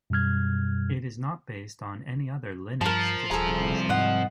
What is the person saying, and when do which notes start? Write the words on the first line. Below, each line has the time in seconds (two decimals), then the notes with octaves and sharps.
It is not based on any other Linux distribution.
0.10 F#2 B2 G3 F6 G#6
2.81 G2 F3 A#4 A5
3.31 D#1 C2 G#4 A4 A#5
3.89 G#2 D#5 F#5